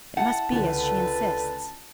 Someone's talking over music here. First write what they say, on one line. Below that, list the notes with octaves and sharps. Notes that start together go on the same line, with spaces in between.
It must be as she insists.
E4 F#5 G5 A5
C#2 D3 A4 B4 A5